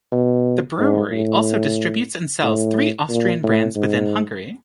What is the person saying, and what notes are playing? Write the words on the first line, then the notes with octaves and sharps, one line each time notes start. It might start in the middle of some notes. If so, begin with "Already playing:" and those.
The brewery also distributes and sells three Austrian brands within Hungary.
B2
G#2
A2
A2
A#2
A2
G#2